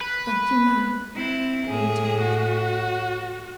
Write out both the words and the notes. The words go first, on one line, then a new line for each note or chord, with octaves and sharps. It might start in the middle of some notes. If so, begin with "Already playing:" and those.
"Thank you, Mary," he returned.
B4
C4 E4
A2 G#4
F#4